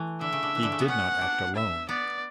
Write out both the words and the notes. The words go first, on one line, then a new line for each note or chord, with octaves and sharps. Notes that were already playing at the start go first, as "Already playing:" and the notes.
He did not act alone.
Already playing: E3 A3
D3 E5
C#3
D3
E3
D3
C#3
B3
C#4 F#5
D4
E5
B3 D5